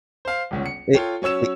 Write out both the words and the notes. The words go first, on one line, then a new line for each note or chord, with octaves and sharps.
It it
C5 F5
G1 C#2 C#4
C#7
F4 A4 C#5 G5
F#3 C#4 C#5 E6 E7